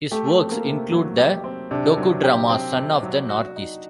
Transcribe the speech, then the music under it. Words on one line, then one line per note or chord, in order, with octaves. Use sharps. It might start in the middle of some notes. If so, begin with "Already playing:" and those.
His works include the docudrama "Son of the Northeast".
A3 G4
C4
A#3
C3
F#3
G4
C4
C3 D4
F#3
G4
C4
C3
F#3
F#4
D#4